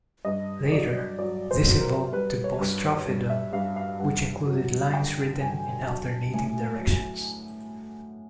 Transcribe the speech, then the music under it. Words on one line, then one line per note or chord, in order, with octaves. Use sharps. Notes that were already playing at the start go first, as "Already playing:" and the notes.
Later, this evolved to "boustrophedon," which included lines written in alternating directions.
G2 D#5
F#3 D5
F#3 D5
C5
F#3
A#4
G3 B4
C#5
G2
G2
E5
G2 F5
F5
G2 F#5
F#3
D3 G5
G2 G#5
F#3 A5
A2 G#5
F#3